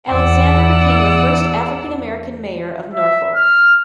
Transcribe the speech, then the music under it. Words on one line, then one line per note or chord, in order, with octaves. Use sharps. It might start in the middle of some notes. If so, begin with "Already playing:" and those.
Alexander became the first African American mayor of Norfolk.
E2 D5 F#5 E6
E5
F6